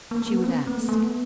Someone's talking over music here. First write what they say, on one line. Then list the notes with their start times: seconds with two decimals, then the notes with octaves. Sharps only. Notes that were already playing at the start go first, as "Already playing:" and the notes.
She would ask.
0.11 A#3
0.22 A#3
0.34 B3
0.44 C4
0.56 B3
0.63 A#3
0.67 B3
0.78 A3
0.89 A3
1.00 B3